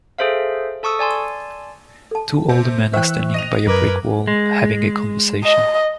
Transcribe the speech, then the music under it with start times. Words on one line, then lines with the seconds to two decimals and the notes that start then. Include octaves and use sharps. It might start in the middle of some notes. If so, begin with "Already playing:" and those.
Two older men are standing by a brick wall having a conversation.
0.18 G#4 A4 C5 E5 F5
0.83 A4 A5 C#6 D#6 E6
0.99 D5 G#5 A5 C6
2.11 A4 A5
2.49 C3
2.94 E3 C5 E5 G5 C#6 F#6
3.34 D#5 D#7 F7
3.67 F#2 A#4 B4 D6 G#6
4.27 G#3
5.44 D#5